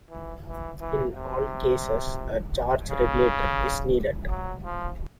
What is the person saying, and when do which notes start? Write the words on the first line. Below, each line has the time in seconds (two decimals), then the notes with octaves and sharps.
In all cases, a charge regulator is needed.
0.10 E3
0.46 E3
0.81 E3
1.16 C3
2.90 C#3
4.29 F#3
4.65 F3